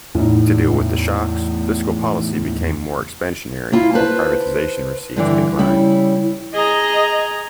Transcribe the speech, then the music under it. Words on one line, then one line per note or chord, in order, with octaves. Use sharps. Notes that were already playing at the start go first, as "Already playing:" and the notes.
To deal with the shocks, fiscal policy became more expansionary while privatization receipts declined.
E2 A2 D#4
A#3 E4 F4
B4 C5 A5
G2 D3 E3 D5
C#3 G3 E4
G#4 D#5 A#5